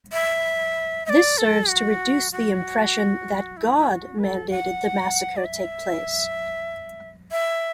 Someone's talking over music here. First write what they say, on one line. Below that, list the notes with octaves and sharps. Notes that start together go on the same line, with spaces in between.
This serves to reduce the impression that God mandated that the massacre take place.
E5
E5
D5
A4
F#4
F#4
E4
E4
A4
F#4
B4
A4
F#5
D5
E5
E5